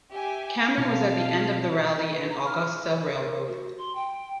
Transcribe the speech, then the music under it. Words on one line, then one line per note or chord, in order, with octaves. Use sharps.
Cameron was at the end of the Raleigh and Augusta Railroad.
G4 E5 G#5
B2 C4 F5 A5
B4
A#5
F6
B4
A#4
F#4
C6
G5